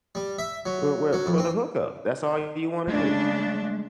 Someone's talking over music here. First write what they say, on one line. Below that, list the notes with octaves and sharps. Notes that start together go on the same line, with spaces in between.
Wha where for the hookup, that's all you wanna do.
G3
E5
F#3
F#3
F2
C4
C#3 G#3 A3 D4